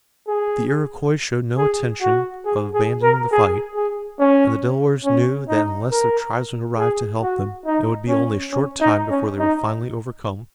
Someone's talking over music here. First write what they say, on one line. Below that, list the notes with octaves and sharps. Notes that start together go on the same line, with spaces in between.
The Iroquois showed no intention of abandoning the fight, and the Delawares knew that unless their tribesmen arrived to help them it would be only a short time before they were finally overcome.
G#4
G#4
F#4
G#4
G#4
A#4
G#4
G#4
C#4
C#4
D#4
A#4
G#4
F#4
D#4
C#4
C#4
D#4
C#4
D#4